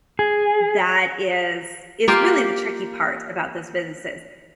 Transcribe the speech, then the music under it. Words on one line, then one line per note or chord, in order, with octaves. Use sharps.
that is is really the tricky part about this businesses.
G#4
A#3 F4 G4